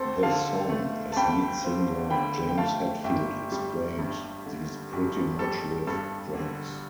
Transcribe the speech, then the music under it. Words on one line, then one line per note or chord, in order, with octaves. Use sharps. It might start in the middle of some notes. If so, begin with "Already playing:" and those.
The song, as lead singer James Hetfield explained, deals pretty much with drugs.
Already playing: D2 C4 A4 C5
D3 F5 A5
A3
A5
D2 G5 B5
C4
D3 G5 B5
G5
A3 F5 A5
G1 E5 G5
G3
G2
D3
G1
G3 A4
G2 A4
D3